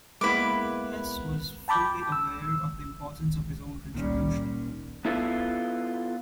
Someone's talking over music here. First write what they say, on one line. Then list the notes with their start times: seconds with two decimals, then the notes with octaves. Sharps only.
Hess was fully aware of the importance of his own contribution.
0.21 G#3 A#3 B3 E4 B4 D6
1.68 G5 A5 B5 D6 G6
2.12 E6
3.94 A#2 D#3 G3 C#4
5.05 B3 E4 F4 A4 B4